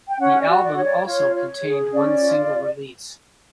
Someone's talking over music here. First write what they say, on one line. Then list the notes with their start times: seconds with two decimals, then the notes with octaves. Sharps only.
The album also contained one single release.
0.08 G5
0.19 C#4 F#5
0.42 D5
0.48 F#4
0.63 D5
0.77 C#5
0.84 D5
1.05 F4 C#5
1.35 C#5
1.63 G#4
1.92 C#4 D5
2.21 F4